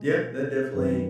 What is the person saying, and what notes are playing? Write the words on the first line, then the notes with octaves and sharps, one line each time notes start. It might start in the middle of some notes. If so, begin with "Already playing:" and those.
Yeah. That definitely
Already playing: B2 G#3
F#2 D#3 F#3 B4